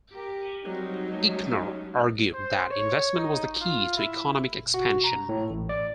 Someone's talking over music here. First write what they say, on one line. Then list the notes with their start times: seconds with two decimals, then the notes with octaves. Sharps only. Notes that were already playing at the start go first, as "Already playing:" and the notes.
Eichner argued that investment was the key to economic expansion.
0.13 G4 A#4
0.66 F#3 G3 C4 D#4 A#4
1.08 G#3 A3 C#4
2.33 C5
2.71 C#5
3.16 D#4
3.61 F4
3.97 E4
4.74 F#4
5.04 A#5
5.29 A2
5.50 A1
5.69 D5